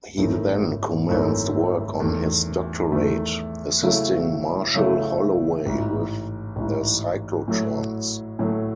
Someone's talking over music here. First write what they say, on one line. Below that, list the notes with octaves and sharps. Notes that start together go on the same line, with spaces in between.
He then commenced work on his doctorate, assisting Marshall Holloway with the cyclotrons.
G#1 F#2 E3 A3 D#4
G#1 F#2 E3 A3 D#4
E2 D#3 A3
E2 D#3 A3
C#3 F#3 A3 E4
C#3 F#3 A3 E4
A1 G#2 E3
A1 G#2 E3
A2 F#3 A3
A2 F#3 A3